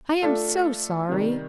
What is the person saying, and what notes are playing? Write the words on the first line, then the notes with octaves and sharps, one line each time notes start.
"I am so sorry!"
A3 D4 F4 A4
C3 D#3 G3